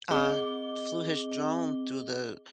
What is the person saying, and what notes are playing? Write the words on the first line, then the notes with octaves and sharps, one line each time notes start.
uh, flew his drone through the
C4 G#4 D#5 D6 G7